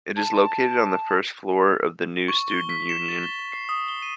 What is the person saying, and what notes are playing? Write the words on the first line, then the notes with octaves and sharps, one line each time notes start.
It is located on the first floor of the new Student Union.
A5
C#6
G7
B6
E7
A6
G7
C7
D#6
G7
D#7